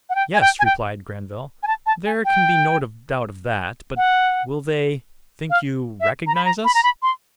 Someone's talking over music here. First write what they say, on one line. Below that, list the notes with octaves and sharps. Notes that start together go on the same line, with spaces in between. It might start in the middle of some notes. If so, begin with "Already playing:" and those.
"Yes," replied Grenville, "there can be no doubt of that; but will they, think you, recognize us?"
F#5
G5
G#5
G5
G#5
G5
G#5
A5
A5
G#5
G5
F#5
F5
E5
A#5
B5
A#5
B5
A#5
B5
C6